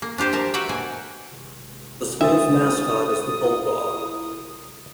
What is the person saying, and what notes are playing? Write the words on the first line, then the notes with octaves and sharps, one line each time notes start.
The school's mascot is the bulldog.
A#3
D4 F4 G4 C5
F3 A#4 A5
F#4 B4 D5 E5 F#5 G5
B2 A#3 G#5
D4 F#4 C5 E5 D#6 A6
E4 F4 A#4